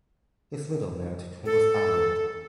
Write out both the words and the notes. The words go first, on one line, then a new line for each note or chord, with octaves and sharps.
His widow married Thomas Ireland.
A4